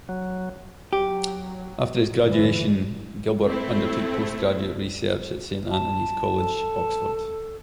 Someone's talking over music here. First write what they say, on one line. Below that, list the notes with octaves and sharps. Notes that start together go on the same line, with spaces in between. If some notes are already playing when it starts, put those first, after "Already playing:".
After his graduation, Gilbert undertook postgraduate research at Saint Antony's College, Oxford.
F#3
F#3 G4
G1 E3
A3 C4 E4
A5
A4